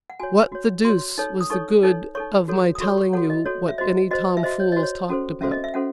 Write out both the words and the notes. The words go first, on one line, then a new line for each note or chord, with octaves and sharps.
"What the deuce was the good of my telling you what any tom-fools talked about?"
F#5
F#4 C#5 G#5
F#4 C#5
F#4 C#5 C6
D#4 A4 C#5
D#6
D#4 A4 C#5 C#6
D#4 A4 C#5
D#4 A4 C#5 C#6
F#4 A4 C#5
D#6
F#4 A4 C#5 C#6
C#6
F#4 A4 C#5 F#5
D#5
F#4 A4 C#5
E5
F#4 C5 D#5
F#4 C5 D#5
E5
F#4 C5 D#5
C#5
F#4 C5 D#5
C#5
C#4 F#4 A4 C5
C#4 F#4 A4 C5 E5
D#5
E5
C#4 F#4 A4 C5 F#5